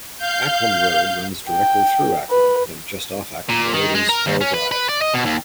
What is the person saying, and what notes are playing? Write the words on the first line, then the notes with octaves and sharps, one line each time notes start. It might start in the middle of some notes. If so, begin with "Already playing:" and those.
Acklam Road runs directly through Acklam, and just off Acklam Road is Hall Drive.
F5 G6
G5
B4
A#2
D#3
G#3
A#4
D#2
C#4
B4
B4
D5
D#5
B2
D#2